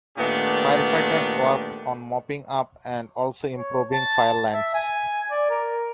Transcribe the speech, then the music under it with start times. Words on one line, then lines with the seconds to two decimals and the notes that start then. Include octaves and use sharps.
Firefighters worked on mopping up and also improving fire lines.
0.18 A#2 D#3 A3 B3 D4 G4
3.55 C#5
3.91 A5
4.53 E5
4.74 G#5
5.31 D5
5.50 A#4